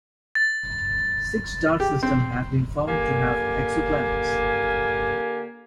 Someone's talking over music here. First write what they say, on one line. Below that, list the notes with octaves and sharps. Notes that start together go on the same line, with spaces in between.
Six star systems have been found to have exoplanets.
A6
G4
C4
D3 A#3 G4 G#5